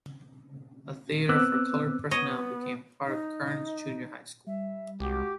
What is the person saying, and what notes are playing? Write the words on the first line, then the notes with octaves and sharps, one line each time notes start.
A theater for "colored personnel" became part of Kearns Junior High School.
B3 C4 D6 E6 F#6
B3 C#5 D#5
D#4
G3 E5
C2 G#3 F#4 G4 D6